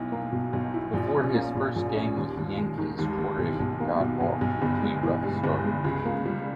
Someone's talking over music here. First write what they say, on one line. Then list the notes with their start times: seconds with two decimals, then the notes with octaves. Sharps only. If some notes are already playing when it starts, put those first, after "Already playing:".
Before his first game with the Yankees, Torre got off to a rough start.
Already playing: B1 E4
0.12 A#3
0.32 B2
0.53 B1
0.74 E4
0.93 A#1
1.14 C#4
1.34 A#3
1.55 A#2
1.76 A#1
1.95 C#4
2.16 D#2
2.37 D#2
2.58 G#3
2.78 D#3
2.98 D#2
3.18 D#2
3.39 B1
3.60 B1
3.80 A#3
4.00 B2
4.21 B1
4.41 B1
4.62 G1
4.82 G#3
5.03 E3
5.23 G2
5.44 G1
5.64 G#3
5.84 C#2
6.05 A#3
6.26 G3